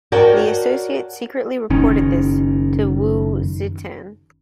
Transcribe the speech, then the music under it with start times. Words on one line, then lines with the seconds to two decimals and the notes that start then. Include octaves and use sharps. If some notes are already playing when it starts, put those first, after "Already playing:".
The associate secretly reported this to Wu Zetian.
0.12 F#4 A#4 C#5 D5 G5 A5
1.70 F#1 D#3 C#4